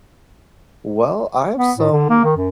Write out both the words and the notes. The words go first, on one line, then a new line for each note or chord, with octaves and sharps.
Well, I have some
B3
A2
D3
A#3
D#3
F#2